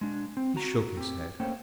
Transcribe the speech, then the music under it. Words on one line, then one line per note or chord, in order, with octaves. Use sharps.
He shook his head.
G#3 D4
C4
F#4 A#5
C4 G4
A3 A#3 C#4 C5 G5